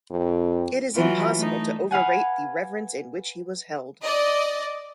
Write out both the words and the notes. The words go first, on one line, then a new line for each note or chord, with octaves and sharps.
It is impossible to overrate the reverence in which he was held.
F2
E3 F#3 F4
A3 D#4
B4 F5 F#5 G#5
D5 D#5